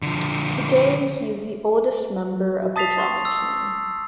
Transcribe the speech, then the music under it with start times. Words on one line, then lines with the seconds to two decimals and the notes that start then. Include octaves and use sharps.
Today he is the oldest member of the Drama team.
0.02 D3 F3
2.76 A5 D#6 A6 B6 C7 F7
2.98 C6 C#6
3.25 E6